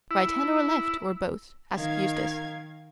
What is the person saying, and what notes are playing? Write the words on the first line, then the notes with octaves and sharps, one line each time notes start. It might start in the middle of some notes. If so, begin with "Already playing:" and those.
"Right hand or left, or both?" asked Eustace.
E4
D#3 F5 G#6